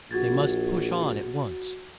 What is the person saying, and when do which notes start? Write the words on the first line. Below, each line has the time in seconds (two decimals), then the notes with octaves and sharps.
They must push on at once.
0.11 A#1 F#4 G#6 A6